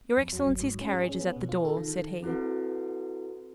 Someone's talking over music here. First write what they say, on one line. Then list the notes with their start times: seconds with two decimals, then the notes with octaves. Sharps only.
"Your excellency's carriage is at the door," said he.
0.17 F2
0.33 F#3
0.47 G1
0.61 G#2
0.81 C#4
0.93 G#4
1.09 C#4
1.21 B3
1.36 B2
1.49 F4
1.65 A4
1.77 D#3
2.23 C4 E4 F#4 A4 B4